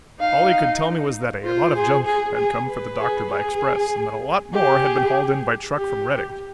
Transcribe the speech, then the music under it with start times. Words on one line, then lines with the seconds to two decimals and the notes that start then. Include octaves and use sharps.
All he could tell me was that a "lot of junk" had come for the Doctor by express and that a lot more had been hauled in by truck from Redding.
0.20 D#4 F5
1.44 F4 C5
1.75 G#4
2.06 G#4
2.37 G#4
2.68 B4
2.99 G#4
3.30 G#4
4.54 G4 G#4
5.78 G4